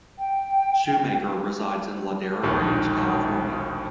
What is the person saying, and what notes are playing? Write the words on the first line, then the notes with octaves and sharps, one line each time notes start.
Schumaker resides in Ladera Ranch, California.
G5
E1 A#1 D#2 D#3